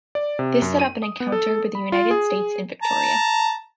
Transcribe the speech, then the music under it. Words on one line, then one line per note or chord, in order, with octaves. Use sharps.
This set up an encounter with the United States in Victoria.
D5
C3
F#2
D#7
D#6
B3
A4
B5
F4
G#4
A5 A#5